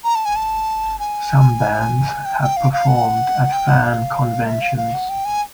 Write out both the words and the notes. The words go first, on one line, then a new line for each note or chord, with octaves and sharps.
Some bands have performed at fan conventions.
A#5
A5
G#5
A5
G#5
G5
G5
F5
F5
F#5
G5
F#5
F5
E5
F5
F5
F#5
G5
G#5